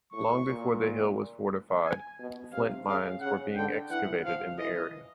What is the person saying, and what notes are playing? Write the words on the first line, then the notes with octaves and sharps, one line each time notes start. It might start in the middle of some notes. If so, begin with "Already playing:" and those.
Long before the hill was fortified, flint mines were being excavated in the area.
A2 C#6
A#2
G#5
B2
C3 F5
C#3 F5
C#3 F#5
D3 G5
E3 F#5
F3 F5
E3 D#5